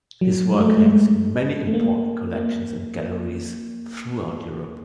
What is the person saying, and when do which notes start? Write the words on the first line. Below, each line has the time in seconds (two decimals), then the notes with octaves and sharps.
His work hangs in many important collections and galleries throughout Europe.
0.21 F#3
0.51 G#3
0.60 A3
0.69 G#3
0.77 A3
0.86 G#3
1.67 A3
1.74 A#3
2.35 A#3